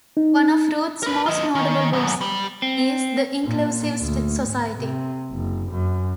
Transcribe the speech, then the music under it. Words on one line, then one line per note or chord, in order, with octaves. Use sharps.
One of Ruth's most notable books is The Inclusive Society?
D#4
A#4 B4
F4 D#5
D#3
F#2 B2
G3
C4
A#2
D2
G#2
C3
F#1
F#2